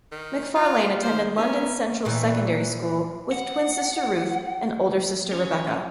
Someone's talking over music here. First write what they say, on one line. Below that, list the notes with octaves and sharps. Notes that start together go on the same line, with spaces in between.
Macfarlane attended London Central Secondary School with twin sister Ruth and older sister Rebecca.
D#3
F4 F5
D#3 C5
B3 C#4 A#4
A#2 D#3 E3
F#5
C#4